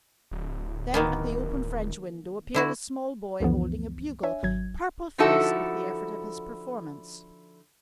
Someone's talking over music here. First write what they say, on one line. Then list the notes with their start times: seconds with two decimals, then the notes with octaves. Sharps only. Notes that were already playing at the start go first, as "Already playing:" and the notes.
Then at the open French window appeared a small boy holding a bugle, purple-faced with the effort of his performance.
0.31 D1
0.94 D#3 A#3 B3
2.54 D3 E4 F#4
3.40 C#2 F#2 D3 E3 F3 B3
4.23 D4 C#5 E5 G#5
4.43 G#1 F#3 G#6
5.18 D3 F3 D#4 E4 F#4 A4